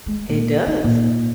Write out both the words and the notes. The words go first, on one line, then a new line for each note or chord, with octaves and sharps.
It does.
G#3
A#2
D#4
A#2